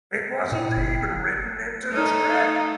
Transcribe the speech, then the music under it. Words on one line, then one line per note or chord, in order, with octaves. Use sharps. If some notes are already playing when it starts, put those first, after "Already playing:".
It wasn't even written into the scrip.
A#2 E4 G5
G1
A3 D#4